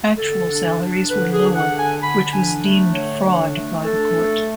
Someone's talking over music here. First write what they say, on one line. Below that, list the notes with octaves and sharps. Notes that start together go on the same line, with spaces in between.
Actual salaries were lower, which was deemed fraud by the court.
D3 A4
D4
D4
D3 B4
G#4
D4
F#5
D3
G#5
D3 B5
D4 G#5
A3
D3 C#5
D4
A3
D4 A4
A3